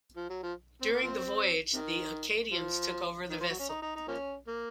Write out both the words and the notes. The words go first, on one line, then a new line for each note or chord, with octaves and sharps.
During the voyage, the Acadians took over the vessel.
F3
F#3
F3
C4
A#3
F3 C4
C3 D#3
F3
D#3
F3
F#3
C#4
D#4
D#4
D#4
F3 A#3 C#4
A#3